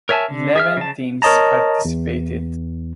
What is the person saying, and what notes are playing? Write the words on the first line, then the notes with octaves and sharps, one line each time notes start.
Eleven teams participated.
A#4 C#5 E5 G#5 A5
D3
G#4 E5 F6
C#3 A5
A#4 C#5 D#5 A5 A#5
E2